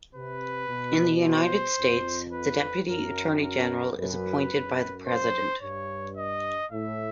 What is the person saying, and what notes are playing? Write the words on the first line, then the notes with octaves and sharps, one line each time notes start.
In the United States, the Deputy Attorney General is appointed by the President.
C3 B4
B2
C5
F2
B4
F#2 A#4
A#4
F#2 B4
F#2
C5
G2 C#5
D#5
A2 E5